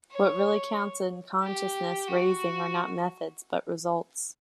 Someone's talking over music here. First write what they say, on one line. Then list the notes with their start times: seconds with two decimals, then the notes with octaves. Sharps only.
What really counts in consciousness-raising are not methods, but results.
0.11 C#5
1.42 G4
2.08 F#4